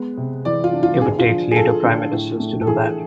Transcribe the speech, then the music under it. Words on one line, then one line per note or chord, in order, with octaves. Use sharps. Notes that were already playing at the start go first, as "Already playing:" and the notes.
It would take later prime ministers to do that.
Already playing: G#3 B3
C3
E3 D5
F4
D4
F4
D3 G#4
F4
F3
G#4
F3 A4
D3
A2
A3
A4
E3 G#4